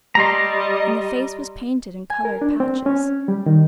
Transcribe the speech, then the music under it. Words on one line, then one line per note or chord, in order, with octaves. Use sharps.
And the face was painted in coloured patches.
G3 D#5 A#5 C6
G#5
A#4
D4
C4
C#4
G3
D#3